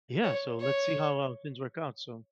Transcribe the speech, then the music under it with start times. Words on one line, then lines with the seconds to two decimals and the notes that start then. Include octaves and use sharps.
Yeah, so let's see how our things work out, so
0.24 C#5
0.60 C#5